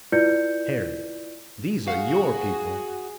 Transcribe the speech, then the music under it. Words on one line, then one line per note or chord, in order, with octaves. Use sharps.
"Harry, these are your people."
E4 F4 B4 D5 G6 C#7
F#4 G#4 F5